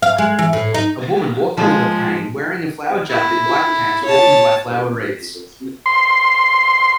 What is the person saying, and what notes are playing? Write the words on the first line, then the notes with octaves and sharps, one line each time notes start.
A woman walking with a cane wearing a flower jacket and black pants walking by flower wreaths.
F5
G#3
E3
A2
D#4
F3 G#3
E4
C#5 A5
C6